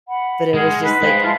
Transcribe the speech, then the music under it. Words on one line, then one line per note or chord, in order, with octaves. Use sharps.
but it was just like
F#5 B5
G#3 G#4 F#5 F6
D#4 B4
G#3 C5 F5 G5
E4 F4 A5 C6